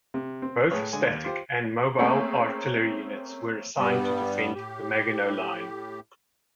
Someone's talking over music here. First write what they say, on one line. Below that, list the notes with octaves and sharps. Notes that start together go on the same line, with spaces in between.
Both static and mobile artillery units were assigned to defend the Maginot Line.
C3
C4
A2 G#4 B4 C#5
D3 G#3 G#5
D#2
F4 G4 C5
A3 A#3 C4 C#4 G#4
G2 G3 B3
A2 G4